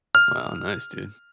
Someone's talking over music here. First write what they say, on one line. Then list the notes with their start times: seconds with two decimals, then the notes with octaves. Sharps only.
Wow. Nice, dude.
0.15 F6